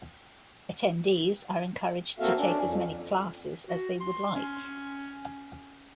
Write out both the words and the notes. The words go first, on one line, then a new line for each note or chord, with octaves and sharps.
Attendees are encouraged to take as many classes as they would like.
A#3 C4 F#4 A4 E5 F5
C#4 D4
F2
F#4
C6
C#4